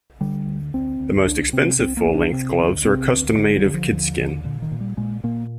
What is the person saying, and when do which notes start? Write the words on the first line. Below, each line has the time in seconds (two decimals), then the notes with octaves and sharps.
The most expensive full-length gloves are custom-made of kidskin.
0.21 D3 G3
0.47 D2
0.74 D2 C4
1.00 D2
1.26 C2 D4
1.53 C3 C4
1.80 C2 C4
1.97 A#3
2.06 C2
2.15 D4
2.32 C3 C4
2.59 D2
2.85 C3 C4
3.12 D2
3.39 D3 G#3
3.56 G3
3.65 D3
3.74 F3
3.91 D#2 F3
4.18 D3
4.44 A#2 D3
4.62 D#3
4.71 A#2
4.80 G3
4.97 A#2 G#3
5.24 A#2 A#3